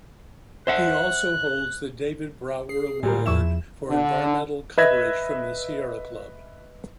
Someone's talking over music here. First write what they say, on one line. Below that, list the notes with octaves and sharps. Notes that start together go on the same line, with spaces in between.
He also holds the David Brower award for Environmental Coverage from the Sierra Club.
C5 E5 F#5 F#6
G#4 C7
D2 A2 G3 A#4
E2 F3 E4 E5 C#6 E7
D3
B4 D#5 E5 G#6 A#6